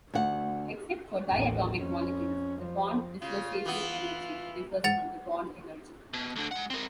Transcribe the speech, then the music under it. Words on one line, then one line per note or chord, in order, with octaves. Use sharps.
Except for diatomic molecules, the bond-dissociation energy differs from the bond energy.
D2 F#5
A1 D#2
F2 C#4
F3
C#3 F4
E3 B3
G#2 F#5 A6 F7
B2
D2 D3
G#3 F#5
C4 A#4